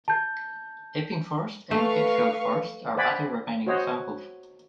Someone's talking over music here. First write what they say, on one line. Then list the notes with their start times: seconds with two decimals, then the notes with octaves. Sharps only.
Epping Forest and Hatfield Forest are other remaining examples.
0.08 A5 G6
1.71 A3 B4 F5 C#6
2.97 C5 D5 F#5 G#5 B5
3.66 F#4 C5 C#5 D#5 F#5